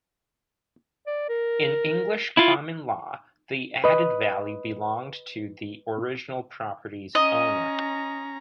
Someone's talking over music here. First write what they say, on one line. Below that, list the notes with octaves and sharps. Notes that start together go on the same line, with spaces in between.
In English common law, the added value belonged to the original property's owner.
D5
A#4
E4 F4
B4 D#5
C#4 D#5 A#5